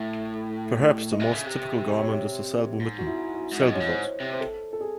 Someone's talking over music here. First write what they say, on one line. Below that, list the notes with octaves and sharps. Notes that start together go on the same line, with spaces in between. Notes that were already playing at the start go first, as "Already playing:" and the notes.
Perhaps the most typical garment is the Selbu mitten, "selbuvott".
Already playing: A2
D#5
C3 E5
C#3
C3
C#5
G#2
F#4
E4
F#4
G#2
F#2 D#5
C#5
G#2
C5
C#5
C3
C5
A4
A4
G#4